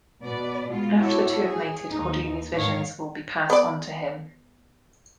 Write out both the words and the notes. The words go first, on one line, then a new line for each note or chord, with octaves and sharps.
After the two have mated, Cordelia's visions will be passed on to him.
B2 B4 D5
B2 G#3 F4
E4 F#4 G4 A4 C#5 E5
G#4
D#2 D#4
G#2 D3 D#3 F3 C#5 F5
B3 D5